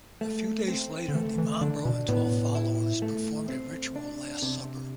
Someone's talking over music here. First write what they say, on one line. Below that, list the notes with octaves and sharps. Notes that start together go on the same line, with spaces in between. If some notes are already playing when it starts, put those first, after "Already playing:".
A few days later, Di Mambro and twelve followers performed a ritual Last Supper.
A3
C4
D3
E3 A3
E3
D3 D4
B2
A2 B3
E4
A3
C4
D4
C3